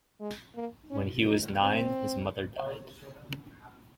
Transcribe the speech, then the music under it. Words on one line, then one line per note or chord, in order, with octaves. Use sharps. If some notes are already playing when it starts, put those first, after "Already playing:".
When he was nine, his mother died.
G#3
A#3
C#4
D#4
C4